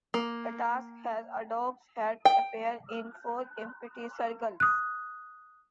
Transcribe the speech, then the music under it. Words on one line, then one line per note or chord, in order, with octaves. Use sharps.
This task had a dog's head appear in four empty circles.
A#3
G5
D#6 F#6